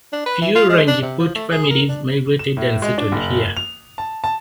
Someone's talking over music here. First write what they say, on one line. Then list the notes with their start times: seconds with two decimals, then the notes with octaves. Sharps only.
Few Rajput families migrated and settled here.
0.12 D4
0.26 B4
0.42 E3
0.55 F4
0.69 G#3
0.88 D4
1.02 C3
1.19 F3
1.35 A3
1.51 G#4
1.71 A#4
1.89 D4
2.39 E7
2.57 A2
2.82 G#3
2.98 D4
3.12 F#1
3.57 F7
3.98 A5
4.24 A5